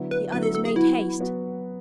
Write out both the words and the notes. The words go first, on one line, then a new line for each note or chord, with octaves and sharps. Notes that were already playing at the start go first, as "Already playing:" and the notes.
The others made haste.
Already playing: D3 F#3 B3 E4
B4
D3 F#3 B3 E4 B4
A4
A4
G#4
F#3 B3 E4 F#4
F#3 B3 F#4